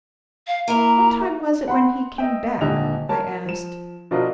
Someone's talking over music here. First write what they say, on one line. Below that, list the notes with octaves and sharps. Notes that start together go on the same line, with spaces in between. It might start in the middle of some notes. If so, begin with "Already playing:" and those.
"What time was it when he came back?" I asked.
F5
A#3 E4 A#4 A#5
F#5 B5 C6
D#5 E5 G5
D#1 G#2 D3 G4 D#5 F7
A#4 C#5 A5
F3 E7
B2 F3 D4 F4 A#4 D#5